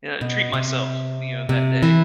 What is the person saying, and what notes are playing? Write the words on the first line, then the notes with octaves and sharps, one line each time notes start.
And I treat myself, you know, that day.
B2
C3
C3
E3